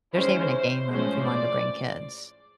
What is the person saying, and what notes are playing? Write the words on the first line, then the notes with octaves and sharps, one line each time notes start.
there's even a game room if you wanted to bring kids.
D#3 G#3 C#4 E4 C5
C5
A2 F3 G#3 C#4 C5
D5